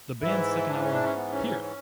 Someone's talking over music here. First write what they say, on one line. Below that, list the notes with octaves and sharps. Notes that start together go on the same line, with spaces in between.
The band's second album, Hear!
G#2 E3 E4
D4
C#4
D4
C#4
B3
C#4
C#4
C#4